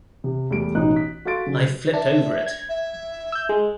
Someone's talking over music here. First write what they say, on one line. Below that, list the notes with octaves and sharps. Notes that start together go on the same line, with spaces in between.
I flipped over it!
C3
E2 G3 A3 D7
A1 B2 E3 D#4 D#6 F#6
B6
F#4 A4 F5 C6 A6 D7
C#3 F#3
D4 E5
G#6
E5
E6 G6
G#3